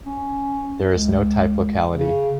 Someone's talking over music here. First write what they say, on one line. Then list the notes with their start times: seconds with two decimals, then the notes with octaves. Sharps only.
There is no type locality.
0.06 C#4
0.90 C#2
1.95 C#3